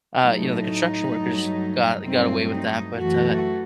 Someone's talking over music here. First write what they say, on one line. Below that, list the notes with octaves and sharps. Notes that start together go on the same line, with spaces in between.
uh, you know, the construction workers got got away with that, but, uh,
A2 F#3 A3 D#4
G2 F#3 A3
G2 F#3 A3 C4
D#4
F#2 E3 A3 F#4